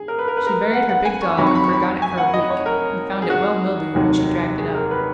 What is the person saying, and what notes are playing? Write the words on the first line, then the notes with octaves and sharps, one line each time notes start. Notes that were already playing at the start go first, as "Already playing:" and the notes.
She buried her big doll and forgot it for a week, and found it well mildewed when she dragged it up.
Already playing: G#4
A#4
B4
A#4
B4
A#4
F#5
F#5
G#5
C#6
F2 D#3 F#3 B5
C#6
B5
C#6
B5
G#5
F#5
D#5
C#5
A#4
G#4
F#4
F1 D#2 D#3 F#3
G#4
A#4
B4